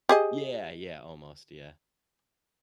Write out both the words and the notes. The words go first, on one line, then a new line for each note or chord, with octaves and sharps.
Yeah, yeah, almost, yeah.
G4 G#4 D#5